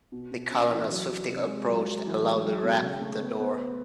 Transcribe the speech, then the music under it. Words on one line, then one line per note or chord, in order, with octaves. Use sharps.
The colonel swiftly approached and loudly rapped the door.
B2
B2
C#4
E3
F#3
F#3
C3
G#3
F#3
F#3
E3
G#3
F#3
B2
C#3
A3
B3
B3